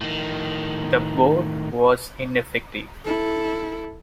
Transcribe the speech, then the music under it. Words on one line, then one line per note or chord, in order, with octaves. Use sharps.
The Board was ineffective.
A2 D#3
E4 A4